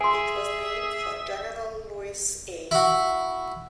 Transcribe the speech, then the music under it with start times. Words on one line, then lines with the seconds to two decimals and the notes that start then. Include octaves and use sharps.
It was named for General Lewis A.
0.01 G#4 E5 G#5 C6
2.71 E4 F#4